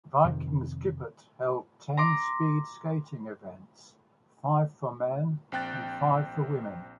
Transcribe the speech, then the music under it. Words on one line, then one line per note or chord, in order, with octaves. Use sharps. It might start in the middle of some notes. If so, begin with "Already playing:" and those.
Vikingskipet held ten speed skating events, five for men and five for women.
F2 C3 D#3
A#5 C6 D6
A#1 C4 G5 F#6 A6